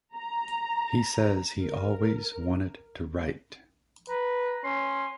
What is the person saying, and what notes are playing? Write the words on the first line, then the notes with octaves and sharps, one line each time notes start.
He says he always wanted to write.
A#5
A#4
B4 A#5
C#4 C6